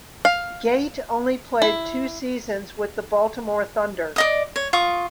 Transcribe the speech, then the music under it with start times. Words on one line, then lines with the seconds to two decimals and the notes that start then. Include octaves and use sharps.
Gait only played two seasons with the Baltimore Thunder.
0.25 F5
1.62 E4
4.16 D5 D#5 D#6
4.56 C#5
4.73 F4 C#6 D#6